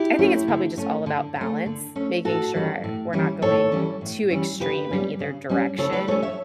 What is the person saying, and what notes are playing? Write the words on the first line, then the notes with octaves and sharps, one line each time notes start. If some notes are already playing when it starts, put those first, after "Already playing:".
I think it's probably just all about balance, making sure we're not going too extreme in either direction.
Already playing: E4 G4
A3 C#4
D3
A3 C#4
D3
C#4
A3
D3
A3 C#4
A2 F#4 A4
E3 G3 C#4
A2
E3 G3 C#4
A2 A4 C#5
E3 G3 C#4
A2
E3 G3 C#4
C#3 G4 B4
G3 C#4
C#3
G3 C#4
C#3 A4 C#5
B4 D5
G3 C#4 A4 C#5
C#5 E5